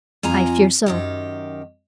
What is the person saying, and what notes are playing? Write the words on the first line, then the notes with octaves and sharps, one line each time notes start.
"I fear so."
F2 F4 G#5 A#5
F#2 D#3 G4